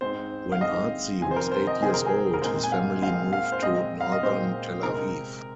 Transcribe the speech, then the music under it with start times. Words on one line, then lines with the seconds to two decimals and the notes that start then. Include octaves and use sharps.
When Artzi was eight years old, his family moved to northern Tel Aviv.
0.01 G#2 G#3 C4 C5
0.52 F5
0.61 G#2 G#3 C4 D#5
1.21 C3 F3 C4 G#5
1.31 C5
1.36 A#4
1.52 C5
1.67 D#5
1.82 C3 F3 C4 G#4
1.94 A#4
2.07 G#4
2.34 A#4
2.42 A#2 G#3 C4 C5
2.63 G#5
2.72 F5
3.02 A#2 G#3 C4 F5
3.33 F5
3.52 C5
3.62 A#2 G#3 C4 D#5
4.01 F5
4.12 D#5
4.23 A#2 G#3 C4 C5
4.83 C3 G#3 C4 A#4